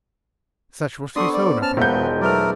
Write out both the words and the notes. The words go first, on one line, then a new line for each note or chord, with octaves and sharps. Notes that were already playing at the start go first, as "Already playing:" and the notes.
Such was his own opinion.
B3 D4 A4 C5 D5 C6 C#6 D#6
D5
C#4 A5 F6
E1 F3 B4 E5 F#5 G6
D#3 G#3
F#3 A3 A#4 B4 D5 F6